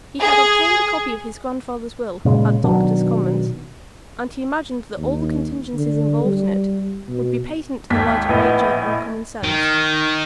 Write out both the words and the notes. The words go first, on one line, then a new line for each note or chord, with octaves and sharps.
He had obtained a copy of his grandfather's will at Doctors' Commons, and he imagined that all the contingencies involved in it would be patent to the light of nature and common sense.
G#4
A#2 C#3 G#3
B2 D#3 F#3 D4
D#2
D3
G3
B2
G#1 D#2 B6
A#1 A2 B3 D#5
D#3